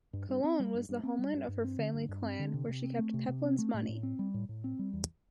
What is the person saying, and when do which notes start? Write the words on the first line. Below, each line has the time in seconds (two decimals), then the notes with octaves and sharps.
Cologne was the homeland of her family clan and where she kept Pepin's money.
0.13 G2
0.29 G2
0.44 C4
0.59 G3
0.74 G2
0.89 G2
1.03 C4
1.19 G3
1.34 G2
1.48 G2
1.64 C4
1.79 D3
1.93 G2
2.09 G2
2.24 C4
2.39 D3
2.54 C3
2.69 C3
2.84 C4
2.99 A3
3.14 C3
3.28 C3
3.44 C4
3.58 A3
3.74 A2
3.89 A2
4.03 C4
4.19 G3
4.34 A2
4.49 A2
4.64 C4
4.79 G3
4.93 E2